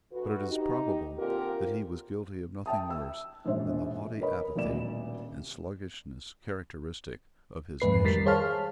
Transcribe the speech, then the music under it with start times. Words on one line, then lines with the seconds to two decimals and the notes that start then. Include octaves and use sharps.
But it is probable that he was guilty of nothing worse than the haughty apathy and sluggishness characteristic of his nation.
0.11 D2 F#4 B4
0.48 D#4 G4
1.17 A#2 D3 C4 F4 G4 A#4
2.66 E5 G5 A5 D#6
2.90 E6
3.45 E1 A#1 G#2 C5 E5
4.21 A#4 B4 C#5 D#5 B5
4.55 D#1 D2 B2 D5 E7
7.80 F2 G#2 B4 C7
8.04 D#3 G3 A#4 A6 B6 C7
8.26 G#4 C5 C#5 F5 A5 F6